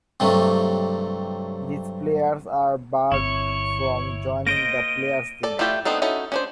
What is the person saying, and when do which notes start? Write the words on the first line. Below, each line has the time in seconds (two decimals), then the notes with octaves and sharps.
These players are barred from joining the players' union.
0.20 G2 C3 F#3 A3
3.12 G1 B2 C4 E4 C#5 C#6
4.47 A#3 C5 D#5 A#6 D7 D#7
5.43 A4 D5
5.59 A3 E4 F4 G4 D5
5.85 B3 C4 D4 D#4 A4
6.02 C#4 D#4 E4 F#4 A4
6.32 C#4 D4 C5